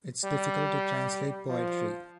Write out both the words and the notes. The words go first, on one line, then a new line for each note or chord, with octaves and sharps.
It's difficult to translate poetry.
G3
F3